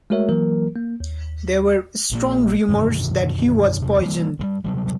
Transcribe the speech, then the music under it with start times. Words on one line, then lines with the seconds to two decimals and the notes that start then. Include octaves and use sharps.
There were strong rumors that he was poisoned.
0.10 G#3 A3 F#4 A#4 C#5 E5
0.29 E3 F#3 A#3 A#4
0.76 A#3
1.00 D#2
2.11 A#1 A#2 A#3
2.68 F#2 B2 D3 D#3
3.82 E2 C3
4.02 E3 G3 A#3
4.39 D2 G2 G3
4.64 C3 F#3 G3